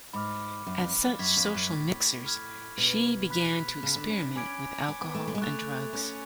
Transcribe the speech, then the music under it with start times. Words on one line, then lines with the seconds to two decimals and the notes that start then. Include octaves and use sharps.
At such social mixers, she began to experiment with alcohol and drugs.
0.13 G#2 B5 D6 F6
0.67 F#2
0.79 F2
1.06 F2
1.19 F#2 C#6 G#6 B6
1.37 F2
1.54 F#2
1.72 A2
2.25 B5 F6 G#6
2.78 B2
3.30 B5 F#6 B6 F7
3.83 C#3
3.96 D3
4.09 C#4
4.22 D4
4.36 C#4 G#5 B5 D6 G#6 D7
4.88 C#4
5.01 B3
5.15 A3
5.28 A3
5.35 G#3
5.41 A3 C#6 F#6 A6 F7
5.93 C#4